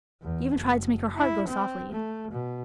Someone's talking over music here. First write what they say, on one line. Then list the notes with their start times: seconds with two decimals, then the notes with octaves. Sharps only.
She even tried to make her heart go softly.
0.22 E2
0.54 F#1
1.16 E4
1.48 C4
1.92 A3
2.31 B2